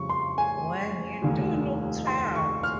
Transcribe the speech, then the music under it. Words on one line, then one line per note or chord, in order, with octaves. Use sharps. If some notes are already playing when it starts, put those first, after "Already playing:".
Well, you do look tired.
Already playing: F2 C#3 G3 C#6
C6
G#5
F1 D#2 D#3 G3
C6
C#6
F6